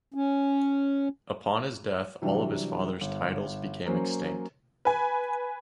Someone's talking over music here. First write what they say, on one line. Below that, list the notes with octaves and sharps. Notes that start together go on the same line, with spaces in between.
Upon his death, all of his father's titles became extinct.
C#4
C3 E3 F#3 G3 D4
G1
F#3 A#3 C#4 C5
B4 G#5